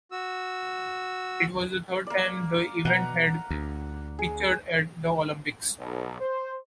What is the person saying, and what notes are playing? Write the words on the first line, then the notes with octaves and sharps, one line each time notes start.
It was the third time the event had been featured at the Olympics.
F#4 E6
A#3 D5
B2 F#5 A#5
D2
G#4
B1
C5